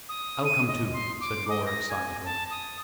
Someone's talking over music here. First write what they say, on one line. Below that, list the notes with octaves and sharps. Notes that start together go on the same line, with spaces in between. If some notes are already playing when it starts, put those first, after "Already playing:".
"I'll come too," said Gore, excitedly.
D#6
D#7
D#5
C6
D6
D#5
A#6
G#5
A5
D#6